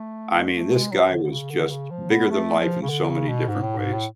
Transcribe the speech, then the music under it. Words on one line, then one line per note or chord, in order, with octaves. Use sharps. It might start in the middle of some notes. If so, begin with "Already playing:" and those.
I mean, this guy was just bigger than life in so many different ways.
Already playing: A3
A3
G#3
F#3
D3
D3
C#3
D3
C#3
F3
B3
A3
F3
C#3
D3
C#3
B2
G#2
A2
G#2
A2